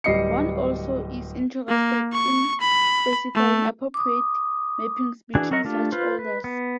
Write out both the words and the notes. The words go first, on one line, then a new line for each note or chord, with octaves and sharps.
One also is interested in specifying appropriate mappings between such orders.
D1 G3 D#5 C7 C#7
A#3
C#6
B5
A3
D6 D#6
E3 D4 F#4 G#4
F#3 F#4 A#4 D#5 C#6
A3 D4 F4 G4
F4 B4 C5
B4
B3